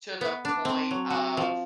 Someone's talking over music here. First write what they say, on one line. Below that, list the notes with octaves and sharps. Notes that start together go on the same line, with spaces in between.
to the point of,
B3
D4
C4
F#3
F#4
F3